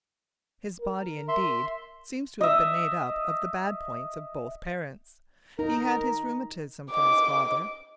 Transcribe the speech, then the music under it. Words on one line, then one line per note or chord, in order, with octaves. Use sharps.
His body, indeed, seems to have been made up of the bad points of both parents: he had his rheumatism from his father.
A#4
E5 C6
D#5 E5
D#4 A#4
D#5 D6